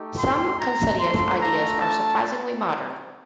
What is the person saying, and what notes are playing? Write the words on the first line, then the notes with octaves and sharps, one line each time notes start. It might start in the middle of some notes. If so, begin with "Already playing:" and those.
Some of Consentius' ideas are surprisingly modern.
Already playing: A3 D#4 G4
C6
A#5
A3 D4 F4 C6
A#5
A5